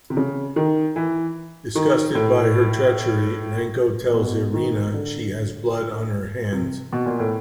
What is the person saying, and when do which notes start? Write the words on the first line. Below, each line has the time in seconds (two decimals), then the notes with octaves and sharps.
Disgusted by her treachery, Renko tells Irina she has blood on her hands.
0.10 C3
0.17 C#3
0.56 D#3
0.96 E3
1.75 D#3
2.15 A2
4.10 A#2
4.14 B2
4.54 D#3
4.94 D3
6.52 C3
6.93 B2
7.06 A#2
7.20 A2